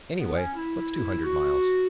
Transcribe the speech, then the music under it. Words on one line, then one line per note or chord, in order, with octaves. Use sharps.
Anyway, what's two hundred miles!
B3
C#4
E4
F#4